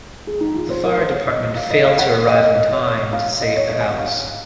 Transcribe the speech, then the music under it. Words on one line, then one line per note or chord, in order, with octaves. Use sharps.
The fire department failed to arrive in time to save the house.
G#4
D#4
F4
C5
A#4
C5
C#5
D#5
F5
D#5
F5
F#5
F#5
D#5
D#5
C#5
C#5
F5
D#5
C#5
D#5
G#5
F#5
F5